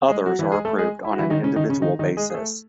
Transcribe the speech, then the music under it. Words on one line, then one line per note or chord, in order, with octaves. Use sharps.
Others are approved on an individual basis.
G#3 G#4
F#3 F#4
E3 E4
G#3 G#4
A3 A4
G#3 G#4
E4
F#4
E3 E4
D#3 D#4
C#3 C#4
D#3 D#4
C#3 C#4
D#3 D#4
D#3 D#4
G#3 G#4
G#4
A3 A4